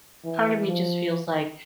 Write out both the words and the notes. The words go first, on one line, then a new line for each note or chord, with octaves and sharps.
part of me just feels like
E3
F3